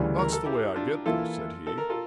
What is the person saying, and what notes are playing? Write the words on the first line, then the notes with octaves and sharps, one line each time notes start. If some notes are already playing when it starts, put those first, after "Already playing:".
"That's the way I get them," said he.
Already playing: D2 C#3 E3 G3 D4
A#4
A4
E4 G4
D4 F4
E3 A#3 E4 F4 A4
A4
A#4
F4 A4